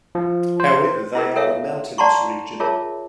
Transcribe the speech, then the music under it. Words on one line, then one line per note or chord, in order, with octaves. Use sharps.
However, they are a mountainous region.
F3
C5
E4 G#4 A#4
A4 A#4 C#5 E5 F5 G#5
D5 F#5 A5 A#5 C6 C#6
F4 G#4 A#4 C#5 E5 A5